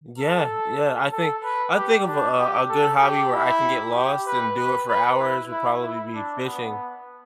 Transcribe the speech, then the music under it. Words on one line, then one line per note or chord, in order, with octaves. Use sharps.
Yeah, yeah, I think I think of a, uh, a good hobby where I can get lost and do it for hours would probably be fishing.
A4
A4
B4
G4
D4
G4
A4
G4
E4
G4
B4
B4
B4
E4
E4
E4
D4
B3